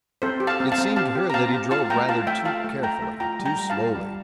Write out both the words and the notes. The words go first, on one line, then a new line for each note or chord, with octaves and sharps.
It seemed to her that he drove rather too carefully, too slowly.
C4 A4 C5
G4
F5 A5
C4
F5 A5
C4
G4 F5 A5
G4
A#5
C4 F5 A5
G4
F4 F5 A5
A3 G5 A#5
F4 F5 A5
A3 E5 G5
F4 F5 A5
A3
A3 G5 A#5
A3
F4 G5 A#5
G3
G5 A#5
G3
F5 A5
F4
G3